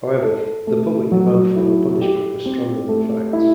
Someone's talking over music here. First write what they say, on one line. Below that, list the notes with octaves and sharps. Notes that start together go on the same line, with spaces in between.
However, the public demand for her punishment was stronger than facts.
A4
A3
F#3
E4
G4
C4
A3
E4